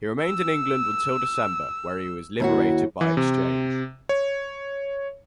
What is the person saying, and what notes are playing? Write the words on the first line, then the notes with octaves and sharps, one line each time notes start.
He remained in England until December, when he was liberated by exchange.
E6
D#2 E4 F#4
E3
C3
C#5